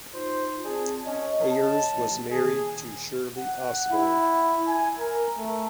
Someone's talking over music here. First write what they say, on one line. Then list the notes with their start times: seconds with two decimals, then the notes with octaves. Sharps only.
Ayers was married to Shirley Osborn.
0.14 D#4 F4 C5
0.64 C4 G#4 D5 A5
1.06 C#4 C#5 D#5
1.42 A5
1.93 A1
2.31 A#2 D#3 G#4
3.37 F#5
3.91 E4
4.67 G#5
5.00 A#4
5.37 A3